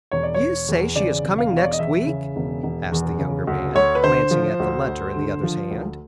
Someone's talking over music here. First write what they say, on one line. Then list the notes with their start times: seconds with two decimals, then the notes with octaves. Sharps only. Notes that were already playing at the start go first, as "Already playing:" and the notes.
"You say she is coming next week?" asked the younger man, glancing at the letter in the other's hand.
0.11 E1 C#5
0.23 D5
0.34 E1 C#5
0.68 E2
0.96 C#3 D5
1.23 E1
1.38 F5
1.52 E1
1.57 C#5
1.64 D5
1.73 D#5
1.79 E2 E5
2.07 C#3
2.36 E1
2.63 E1
2.92 E2
3.19 C#3
3.47 D2
3.75 D2 C#5
3.95 B4
4.04 D3 C5
4.31 F3
4.60 D2
4.87 D2
5.15 D3
5.43 F3
5.71 D2